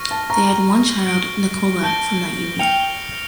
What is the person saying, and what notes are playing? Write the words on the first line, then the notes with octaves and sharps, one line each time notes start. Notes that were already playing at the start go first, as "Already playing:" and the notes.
They had one child, Nicola, from that union.
Already playing: C#6 F6 A#6
A5
A#5 C#6 F6 A#6
G6 A#6 D7 G7
A5 G6 A#6 D7 G7
G5 F6 C#7 F7